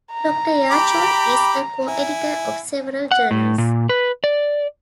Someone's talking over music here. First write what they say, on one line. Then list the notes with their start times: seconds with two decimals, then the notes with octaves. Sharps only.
Doctor Yarchoan is a co-editor of several journals.
0.13 A#5
0.71 G4 B5 D6
1.88 E4 G#5
3.11 F#5
3.31 A2
3.58 A#2
3.89 B4
4.24 D5